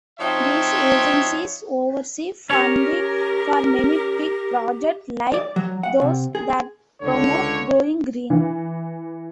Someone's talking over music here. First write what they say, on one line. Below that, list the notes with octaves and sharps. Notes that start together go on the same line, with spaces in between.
These agencies oversee funding for many big projects like those that promote going green.
F3 C4 D#4 F#4 C#5 E5
C#4 G4 A#4 C#5 A#5
D5
F#3
F#5
C3
G#4
C#2 D3 C#5
E3